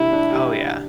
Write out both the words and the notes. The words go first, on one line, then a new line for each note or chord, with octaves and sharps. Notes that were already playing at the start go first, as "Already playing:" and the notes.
Oh, yeah.
Already playing: C3 D4 E4
D4
G4